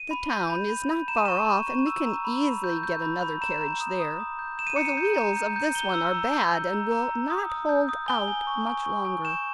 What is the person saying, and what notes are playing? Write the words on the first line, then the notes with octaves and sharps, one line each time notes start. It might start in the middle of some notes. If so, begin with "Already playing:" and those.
The town is not far off and we can easily get another carriage there, for the wheels of this one are bad and will not hold out much longer.'
Already playing: D#7
B5
G6
B5
B5
B5
A#5 E7
D#7
C#6 E7
C#6
C#6
E6
A#5
B5
B5
G6
G6
B5
B5
A#5 E7
A#5
D#6
D#6
D#6
G6
G6 E7
D#7
A#5 C#7
D#7
G6
A#5
G6
G6
A#5 G7
E6
A#5
G6
G6
A#5
A#5
A#5
D#6
D#6
G6
D#6
G#5 G7
G#5
C#6
G#5
C#6
G#5
G6 E7